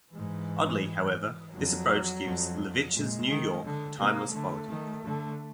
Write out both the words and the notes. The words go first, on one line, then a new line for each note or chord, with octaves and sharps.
Oddly, however, this approach gives Levitch's New York a timeless quality.
G#2 E3
F2 F#3
F2
A#2 G#3
D#3
D3
C3 A#3
D3 A3
D#3
D3